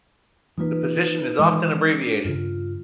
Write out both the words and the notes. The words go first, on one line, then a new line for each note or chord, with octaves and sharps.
The position is often abbreviated.
E3 G3 A#3 D#4 F4 B4
D#3 E3 G#3
D4
G2 C#3 F4